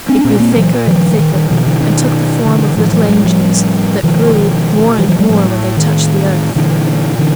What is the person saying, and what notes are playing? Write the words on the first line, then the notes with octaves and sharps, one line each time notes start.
It grew thicker and thicker, and took the form of little angels, that grew more and more when they touched the earth.
C4 D4
A#2 B3 C#4
A#3 C4
E3 F#3
D#3 F3
D#3
D#3
B2 D#3 F3
D3 E3
D#3
D3 E3
A2 D#3 F3
E3 F#3
F#3 G#3
F3 G3
B2 D#3 F3
E3 F#3
E3 F#3
F3 G3
A2 F3 G3
D#3
A#2 D3 E3
D3 E3